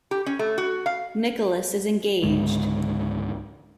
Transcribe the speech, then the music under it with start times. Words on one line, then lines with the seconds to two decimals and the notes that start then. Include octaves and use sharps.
Nicholas is engaged.
0.11 G4
0.26 C#4
0.39 A3
0.58 F#4
0.86 F5
2.23 C#2 G#2 D3 G#3